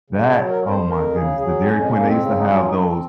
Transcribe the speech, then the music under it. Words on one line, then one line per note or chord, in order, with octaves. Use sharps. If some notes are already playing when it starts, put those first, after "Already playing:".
That, oh my goodness, the Dairy Queen, they used to have those
C#3
F#3
A#4
F2 A#4
C5
F2 A#4
C#3 G#4
F#3 G#4
C4
F2 C#4
G#3
F2 A#3
C4
C#3
D#4
F#3 C#4
F4
D#4
F2 C#4
C4